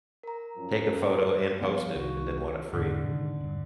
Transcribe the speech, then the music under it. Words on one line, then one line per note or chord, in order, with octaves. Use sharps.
Take a photo and post it, and then want it free.
A#4 A#5
F#2 F3 C#4
F3 G3 B3 C#5 F5
C2 D#3 F#4
E2 G#2 D3
G#2 C3 D#3
E1 G2